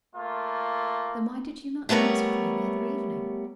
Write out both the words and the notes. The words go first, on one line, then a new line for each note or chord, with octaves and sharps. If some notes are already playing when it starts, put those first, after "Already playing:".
"Then why did you not dance with me the other evening?"
A3 A#3 F4
G3 A3 B3 A#4 C#5